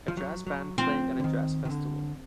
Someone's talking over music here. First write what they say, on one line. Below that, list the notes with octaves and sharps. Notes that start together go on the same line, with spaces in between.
A jazz band playing at a jazz festival.
F3
F#3
F#3
F3 C4
D3
D#3
D#3
D3